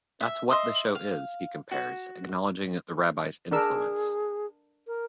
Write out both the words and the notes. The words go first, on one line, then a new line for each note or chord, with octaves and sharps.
That's what the show is, he compares, acknowledging the rabbi's influence.
E5
D#5 E5 C6 D#6
F5
F#4
D4 G#4 A#4 E6
A#4